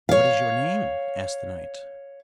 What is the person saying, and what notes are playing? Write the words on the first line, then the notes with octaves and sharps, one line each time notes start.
"What is your name?" asked the knight.
C#5 F5